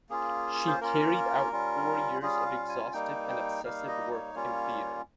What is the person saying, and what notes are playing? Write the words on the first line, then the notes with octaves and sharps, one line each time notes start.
She carried out four years of exhaustive and obsessive work in theatre.
A#3 C#4 F4 G#4
C#5
C5
A#3 C#4 F4 A#4
G3 C#4 F4
G3 C#4 F4 G#4
F5
G#5
G3 A#3 D#4 G5
G5
G3 A#3 D#4 F5
D#5
C#5
G3 A#3 C#4 F4